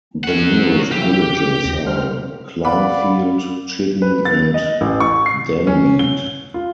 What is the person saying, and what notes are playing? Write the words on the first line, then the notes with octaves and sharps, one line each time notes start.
The nearest villages are Clanfield, Chidden and Denmead.
C#4 F#5
A#3
F3 F#3 E4 G4
D6
D#2 A#6
G3 C5 F6
D5 F5 F#5 B5 D6
B4
A6
D#5
A1
C#6
C7
C#4
G7
F4